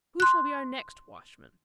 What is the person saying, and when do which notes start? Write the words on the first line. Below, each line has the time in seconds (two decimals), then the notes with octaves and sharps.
Who shall be our next watchman?
0.20 C6 F#6